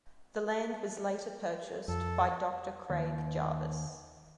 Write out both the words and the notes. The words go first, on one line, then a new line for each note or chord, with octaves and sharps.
The land was later purchased by Doctor Craig Jarvis.
F2 A4
D#2